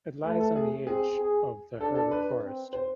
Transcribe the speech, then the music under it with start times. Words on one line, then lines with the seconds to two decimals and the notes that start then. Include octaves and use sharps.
It lies on the edge of the Herbert Forest.
0.24 A3 B4
0.40 A4
0.56 G#4
0.86 C4 G#4
1.18 G#4
1.80 D4 A4
1.95 A4
2.11 B4
2.42 C4
2.73 C5